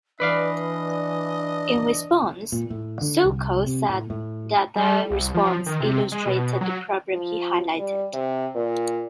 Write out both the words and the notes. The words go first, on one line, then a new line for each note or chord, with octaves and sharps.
In response, Sokal said that their response illustrated the problem he highlighted.
E3 D4 B4 D5 D#5 F5
A#2
A2
D3
C2
C3
A2
A2
G3
C2
F3
D#3
C3
G#3
B2
F#3
F3
G3
C3
A#2